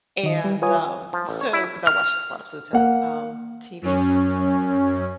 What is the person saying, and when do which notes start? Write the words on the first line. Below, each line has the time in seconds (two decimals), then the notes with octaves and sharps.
And, um, so 'cause I watch a lot of Pluto, um, TV.
0.23 D#3 D#5
0.44 G3
0.62 F4 B4 C#5 G#5 D#6
1.13 F3
1.29 A1
1.41 C#5
1.53 E4
1.87 F6
2.73 A#3 F#5
3.82 F#2 C#4